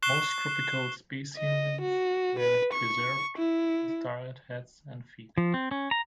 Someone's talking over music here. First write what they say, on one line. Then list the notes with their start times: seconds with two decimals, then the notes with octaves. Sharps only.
Most tropical specimens were preserved as dried heads and feet.
0.02 C#6 F#6 C7 E7 G7
1.37 D#5
1.82 F#4
2.39 B4
2.73 C#6
3.38 E4
5.38 F3
5.54 C4
5.71 C#4
5.91 A#5